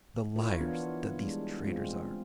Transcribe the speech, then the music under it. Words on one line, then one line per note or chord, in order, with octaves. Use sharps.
The liars that these traders are!'
E4 F4 A#4 C#5
E3 B3 D4 F4
G3 G#3 D4
G#3 C4 F4